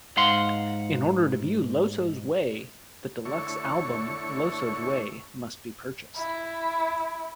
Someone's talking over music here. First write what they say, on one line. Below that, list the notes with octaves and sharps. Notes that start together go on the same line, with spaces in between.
In order to view "Loso's Way", the deluxe album "Loso's Way" must be purchased.
G#2 F5 F#5 C6
D3 A3 E4 C#5 C#6
E4